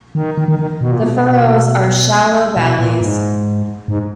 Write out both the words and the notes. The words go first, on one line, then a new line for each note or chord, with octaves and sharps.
The furrows are shallow valleys.
D#3
D#3
D#3
D#3
B2
A#2
B2
B2
A#2
G#2
G#2